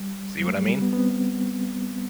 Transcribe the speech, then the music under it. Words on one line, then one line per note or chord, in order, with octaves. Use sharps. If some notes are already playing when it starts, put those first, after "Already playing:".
See what I mean?
Already playing: G3
F#3
A3
G3
G3
B3
B3
C4